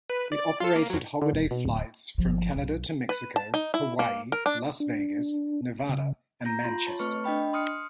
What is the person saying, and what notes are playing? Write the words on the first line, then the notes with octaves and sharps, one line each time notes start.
It operated holiday flights from Canada to Mexico, Hawaii, Las Vegas, Nevada and Manchester.
B4
D5
F4 A4
A#3
F2 F#3
D3
E1
B2
D1
G1 F3
B1
B4
A5
D#4
E4
A#3
A#4
D4
D4
C#3
A#5 G6 A#6
F4 C6
C#5 A5
A3 C4 B4 C#6 F6 C#7
D4 D#5 G5 B5
C6 D#6 F6 C#7